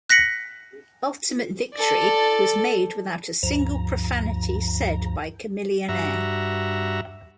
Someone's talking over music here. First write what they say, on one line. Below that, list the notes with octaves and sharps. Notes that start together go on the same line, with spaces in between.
"Ultimate Victory" was made without a single profanity said by Chamillionaire.
F#6 A#6 B6 C#7 F#7
A4 D5
D2 G2 F3 A#5
G2 F#4 E5 A#5